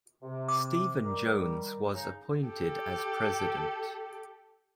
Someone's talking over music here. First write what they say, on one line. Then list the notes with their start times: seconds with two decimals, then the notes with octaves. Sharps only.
Steven Jones was appointed as President.
0.23 C3
0.49 D6
1.03 D#3 G3
1.93 C#3 D#4
2.48 G4 A4